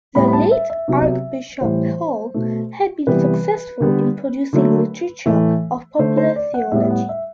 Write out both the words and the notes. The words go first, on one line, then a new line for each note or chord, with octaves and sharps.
The late Archbishop Paul had been successful in producing literature of popular theology.
A2 G3 B3 B5
B5
A5
E5
E5
C3 F#3 B3
A2 E3 G3 C5
B2 A3
C3 E3 G3 B3 B4
D3 G3 B3
D3 F#3 A3
A2 E3 A3
D3 A3 C5
C5
D5
F#5
A2 G3 B3 E5
F#5
E5